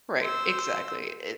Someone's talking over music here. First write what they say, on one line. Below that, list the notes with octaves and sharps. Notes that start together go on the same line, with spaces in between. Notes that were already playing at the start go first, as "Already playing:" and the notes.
Right. Exactly. It,
C5 E6